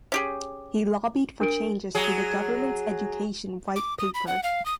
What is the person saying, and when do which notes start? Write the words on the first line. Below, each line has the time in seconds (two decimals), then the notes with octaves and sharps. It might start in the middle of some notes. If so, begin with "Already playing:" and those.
He lobbied for changes to the Government's Education White Paper.
0.12 C#4 G4 G#4
1.40 D4 A#4 D7
1.95 F#3 G#4
3.76 D6
3.99 D#6
4.14 B5
4.27 F#5
4.43 F5
4.66 D#6